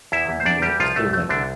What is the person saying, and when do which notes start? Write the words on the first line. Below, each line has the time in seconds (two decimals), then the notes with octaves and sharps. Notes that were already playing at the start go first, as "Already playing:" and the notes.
um, you know, sort of like,
0.12 E2 E4 E5
0.29 E2
0.40 C5
0.45 E2 D4 D5
0.62 E2 G3 G4
0.80 C2 F3 F4
0.96 C2 A3
1.13 A3
1.29 C2 D3 D4